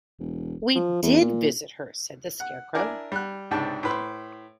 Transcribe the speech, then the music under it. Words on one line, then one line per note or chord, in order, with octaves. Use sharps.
"We did visit her," said the Scarecrow.
E1
F3
E2
A#2
F#5
D4 E4 A#4 D5 G#5
G3 F#6
C#2 G#2 C3 D4 G5 A5
A2 B4 C5